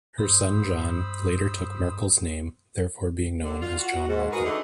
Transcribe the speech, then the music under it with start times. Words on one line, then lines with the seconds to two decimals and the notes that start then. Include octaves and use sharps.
Her son, John, later took Markle's name, thereafter being known as John Markle.
0.18 G2 C5 B5 D#6 E6
3.43 D3
3.60 F4
3.78 F#4
4.08 G#2
4.31 F#4 G#4 A#4 B4
4.44 D3 E3 A3 D4 D#4